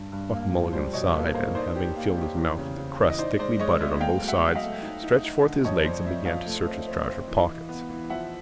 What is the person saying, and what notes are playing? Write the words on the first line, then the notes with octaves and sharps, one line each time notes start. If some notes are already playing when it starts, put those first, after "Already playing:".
Buck Mulligan sighed and, having filled his mouth with a crust thickly buttered on both sides, stretched forth his legs and began to search his trouser pockets.
Already playing: G2
G2
A#3
F3
G3 C5 D5
B2 C#5 D#5
A#3 A4 B4
A#3 A#4 C5
D#4 C5 D5
G4
A#3
G4
E2
C#3
C#3
E3
D#5
D#4 C5 D5
G#3 C5 D5
G#3 C#5 D#5
B3 D5 E5
A3 F5 G5
F#3
E5 F#5
F#3
D#5 F5
A3
D#4
D#4
D#4
D3
F2 C#5 D#5
F2 C5 D5
F2 D5 E5
F3 D#5 F5
A3
C4
C4
C4
E3
E3
B3
E3
F3 E5 F#5